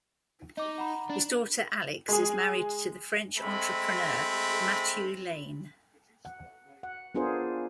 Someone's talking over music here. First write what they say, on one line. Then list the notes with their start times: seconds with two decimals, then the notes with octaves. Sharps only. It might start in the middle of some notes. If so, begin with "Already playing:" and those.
His daughter Alix is married to the French entrepreneur Mathieu Laine.
0.57 D#4 D#5 D6
0.78 F#5 A#5 B5
1.10 D4
2.09 G#3 G#4
3.37 G#3 A3 C4 B5
6.25 F#5
6.83 F#5
7.15 B3 D4 F4 G#4 A#4 C5